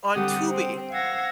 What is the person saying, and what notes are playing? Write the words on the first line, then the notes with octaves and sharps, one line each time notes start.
on Tubi
D3 G3 C4 G4 F#5 D#6
C4
F5 F#5 E6 G#6 A#6